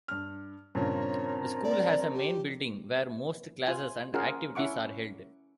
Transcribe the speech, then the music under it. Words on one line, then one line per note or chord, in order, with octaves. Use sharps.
The school has a main building where most classes and activities are held.
G2 F6
G2 A#2 C#3 C4 A#4 C#5
D5
G4
F4 G#5
C#4 F4 G#4 A#4 F5 F#5
C#4 E4 E5 F#5 C#6 D6